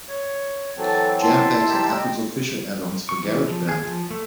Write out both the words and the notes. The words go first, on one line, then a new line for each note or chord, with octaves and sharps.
Jam Packs are Apple's official add-ons for GarageBand.
C#5
E3 F#3 C4 A4 A5
E4 A5 C6
D#4 G4 E6
D#5 G5
C#6
E3
F3
G#4
F3
A3